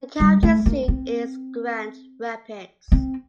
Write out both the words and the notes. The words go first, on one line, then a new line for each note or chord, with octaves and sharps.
The county seat is Grand Rapids.
G3
A3
A#3
C4
C4